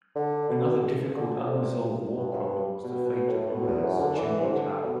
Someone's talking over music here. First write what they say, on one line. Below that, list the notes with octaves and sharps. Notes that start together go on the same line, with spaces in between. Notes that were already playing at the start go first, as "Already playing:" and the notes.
Another difficult unresolved war problem was the fate of loyalist Cheney Clow.
D3
B2
D3
C3
G2
F#2
G2
B2
B2
A2
B2
E2
F#2
D3
E3
C3
D3
B2